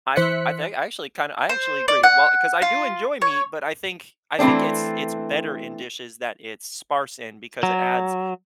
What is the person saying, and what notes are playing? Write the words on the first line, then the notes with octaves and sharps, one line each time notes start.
I I think I actually kinda I actually agree, well, 'cause I do enjoy meat, but I think I think it's it's better in dishes that it's sparse in because it adds
E3 C5 E5 F#6 B6 C#7
C5
D5
F#5
F4
C#5
E3 A3 C4 D4
F#3